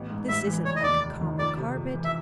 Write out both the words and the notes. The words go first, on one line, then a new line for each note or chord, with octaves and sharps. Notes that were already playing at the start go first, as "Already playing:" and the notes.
This isn't like a common carpet.
Already playing: A1 B3
G#2
A1 E5
E3
F1 C#5
D#5
D#2 D5
F1
D#3
F2 D5
C3
F2
E3
E5